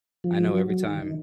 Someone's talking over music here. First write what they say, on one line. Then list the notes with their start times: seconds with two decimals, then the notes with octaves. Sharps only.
I know every time
0.24 F3
0.46 F#3
0.70 F#3
0.85 D#3
1.01 D#3